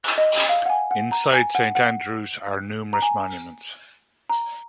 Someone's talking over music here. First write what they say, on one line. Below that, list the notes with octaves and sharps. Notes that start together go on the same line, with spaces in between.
Inside Saint Andrew's are numerous monuments.
D#5
F5
F#5
G#5
F#5
A#5
G#5
F#5
F#5
A#5
G#5
A#5